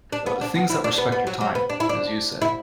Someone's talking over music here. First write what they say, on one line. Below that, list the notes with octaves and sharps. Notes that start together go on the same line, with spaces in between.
uh, things that respect your time, as you said
D4
B3
D4
B3
E4
D4
B3
B3
F#3
F#3
B3
D4
E4
D4
E4